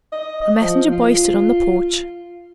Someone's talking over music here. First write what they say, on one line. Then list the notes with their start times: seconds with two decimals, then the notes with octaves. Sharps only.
A messenger boy stood on the porch.
0.12 D#5
0.41 D#5
0.61 F3
0.92 F4